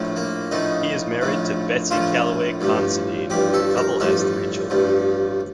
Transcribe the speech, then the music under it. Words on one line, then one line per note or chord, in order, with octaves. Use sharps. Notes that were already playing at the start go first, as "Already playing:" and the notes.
He is married to Betsy Callaway Considine; the couple has three children.
Already playing: A#1 A2 F3
A#3
A#1 A2 F3 D#4
A#1 A2 F3
A#1 A2 F3 F4
A1 G2 F3
A1 G2 F3 G4
A4
A#4
A1 G2 F3 A4
A1 G2 F3